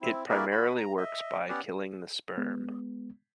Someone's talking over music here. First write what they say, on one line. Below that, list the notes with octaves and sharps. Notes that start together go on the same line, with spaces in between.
It primarily works by killing the sperm.
C4 E4
A#3 E4 F#4 G#4 A#4 D5
F#4 B5
A#5
D#5 E5
B3 C#4 G4 C#5 D5 F#5
G#3 B3